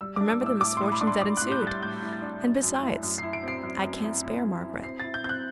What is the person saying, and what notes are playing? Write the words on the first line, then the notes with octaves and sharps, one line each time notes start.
Remember the misfortunes that ensued; and besides, I can't spare Margaret.'
G3 E6
D4 D6
E6
A2
E6
A2 D6
A2 C6
B5
D4 D6
C6
A2 D6
A2 F#6
G6
G3 A6
A2 G6
A2
A6
D4
F#2
F#2
E4
F#2
E4 C7
D7
C4 C7
F#2
F#2
E4
E4
F#2
E4
C4 C7
E4 A6
G6
C4 G6
F#6